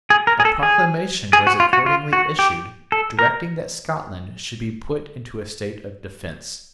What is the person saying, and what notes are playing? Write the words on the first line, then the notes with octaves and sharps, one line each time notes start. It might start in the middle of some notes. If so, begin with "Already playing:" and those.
A proclamation was accordingly issued directing that Scotland should be put into a state of defence.
G#4
A#4
G#4
A4
G#4
G#4
F#4
F4
F#4
F4
F#4
G4
A4
A#4